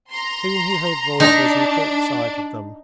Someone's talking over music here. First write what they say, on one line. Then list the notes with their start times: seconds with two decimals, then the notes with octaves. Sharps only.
Soon he heard voices and caught sight of them.
0.11 A#5 C6
1.20 D4 D#4 A#5